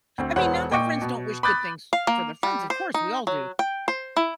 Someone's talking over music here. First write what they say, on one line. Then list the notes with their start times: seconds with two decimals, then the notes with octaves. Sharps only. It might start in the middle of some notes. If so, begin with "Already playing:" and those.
I mean, not that friends don't wish good things for their friends, of course we all do.
0.18 D2 C4
0.36 E1 B3 C5 C#5 F#5
0.71 A#2 D#5 G5 C#6 D6 C#7
1.02 B2
1.43 B5 D6 D#6 F#6 G6 A6
1.93 F5
2.07 A#3
2.43 G3
2.70 C5
2.94 D#4
3.27 F#3
3.59 G5
3.88 C5
4.17 E4